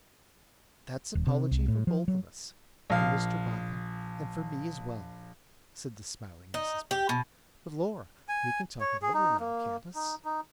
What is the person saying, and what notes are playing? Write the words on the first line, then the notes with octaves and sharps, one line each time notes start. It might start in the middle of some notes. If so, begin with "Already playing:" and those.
'That's apology for both of us: for Mr Boffin, and for me as well,' said the smiling Mrs Boffin. 'But Lor! we can talk it over now; can't us?'
D#1
C3
C2
A2
F3
F#3
A#1 F5
D#4
G4
B2
G#5
C#5
G#4
D#4
A#3
D#4
D#4